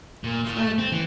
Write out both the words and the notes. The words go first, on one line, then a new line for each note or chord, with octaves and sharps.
it's like
A#2
A2
A3
C4
E3